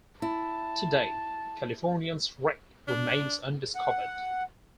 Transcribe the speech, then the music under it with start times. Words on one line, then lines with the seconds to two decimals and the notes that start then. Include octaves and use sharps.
To date, "Californian"s wreck remains undiscovered.
0.22 E4 A5
2.87 D4
3.75 F#5